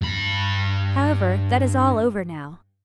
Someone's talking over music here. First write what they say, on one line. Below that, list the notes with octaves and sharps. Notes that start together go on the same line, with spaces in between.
However, that is all over now.
G2 B5